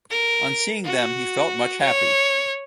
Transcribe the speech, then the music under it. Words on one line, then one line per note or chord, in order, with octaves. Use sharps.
On seeing them he felt much happy.
A#4
F#4
C#5